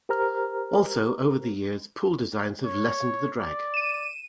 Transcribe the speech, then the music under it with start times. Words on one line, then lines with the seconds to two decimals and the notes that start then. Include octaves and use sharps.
Also, over the years, pool designs have lessened the drag.
0.09 G4 A#4 C5 A#5 F6
2.65 C#5
3.40 D5
3.74 D#7 E7